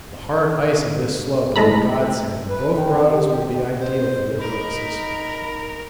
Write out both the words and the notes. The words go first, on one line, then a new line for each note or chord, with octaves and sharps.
The hard ice of this slope is a godsend and both grottoes will be ideal for their purposes.
A2 G#3 A3 A4 A#5 B5
B4
D#3
C4
C3
G4
C5
D#4 A#4 B5